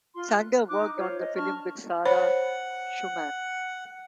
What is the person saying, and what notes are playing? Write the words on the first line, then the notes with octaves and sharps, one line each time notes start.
Sander worked on the film with Sara Schumann.
F4 C6
F#6
D#4 D6 F#6
F4 C5 C#5
D#5
D4 A5 C#6 F6
C5 C#5 F#5 B5